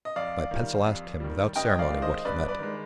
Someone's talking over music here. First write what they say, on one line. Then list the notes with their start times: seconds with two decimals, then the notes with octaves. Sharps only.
My pencil asked him, without ceremony, what he meant.
0.05 D#5
0.16 F2 D5 F5
0.51 D#3 G3
0.86 F2
1.20 D#3 G3
1.56 G2 D#5 G5
1.69 D#5
1.79 D5 F5
1.91 D#3 G#3
2.02 C5 D#5
2.25 G2 B4 D5
2.48 B4 D5
2.59 D#3 G#3